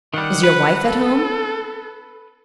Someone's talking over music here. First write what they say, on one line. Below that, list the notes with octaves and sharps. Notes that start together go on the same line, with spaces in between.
"Is your wife at home!"
D#3 G3 F#5
B4
A4